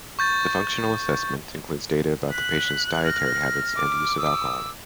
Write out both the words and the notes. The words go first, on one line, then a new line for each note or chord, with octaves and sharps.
The functional assessment includes data about the patient's dietary habits and use of alcohol.
C#6 G6 A6
F#6 B6
F6 A#6
D6
D#6 E6